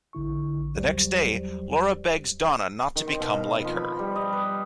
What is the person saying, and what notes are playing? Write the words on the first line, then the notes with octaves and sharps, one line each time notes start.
The next day, Laura begs Donna not to become like her.
A#1 D3 E4 C#6
E2 F#3 G3 G4 C5 D5
D#3
C4
B2
F5
F3
B5
G3
D#5
B4